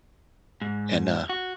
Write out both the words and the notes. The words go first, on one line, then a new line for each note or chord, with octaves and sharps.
and, uh
G#2
F#4